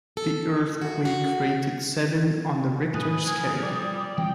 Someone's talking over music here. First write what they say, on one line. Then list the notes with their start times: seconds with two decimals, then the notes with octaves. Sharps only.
The earthquake rated seven on the Richter scale.
0.17 A4
0.81 F#4
1.05 F#4
2.94 A2 B4 G#5 D#6
3.26 F3 A#4 G#5
3.62 G3 D5
3.99 D5
4.18 E3 G3 C4 G5